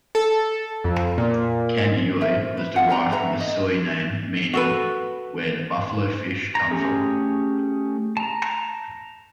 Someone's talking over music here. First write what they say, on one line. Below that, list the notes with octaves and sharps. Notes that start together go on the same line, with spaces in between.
Kandiyohi was derived from a Sioux name meaning "where the buffalo fish come from".
A4
F2
A#2
A#4 C5 E5
B4
F4 E5 F#5 A5
D5 G5 A#5
A4 B4 E5 A#5
D#5
F#4 A4 B4
A#5
A3 C#4 G4 G#4
A5 A#5